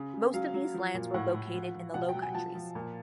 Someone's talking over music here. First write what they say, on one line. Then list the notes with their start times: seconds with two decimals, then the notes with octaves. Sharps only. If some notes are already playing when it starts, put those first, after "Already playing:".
Most of these lands were located in the Low Countries.
Already playing: C#3
0.14 C#3
0.34 F#3 F5
0.54 F#3
0.74 F3
0.94 A#2
1.14 A2 F#5
1.34 A2
1.54 F3
1.75 F3
1.94 B2 F#5
2.09 G5
2.15 F#3
2.22 G#5
2.34 F3 A5
2.55 F3
2.75 A#2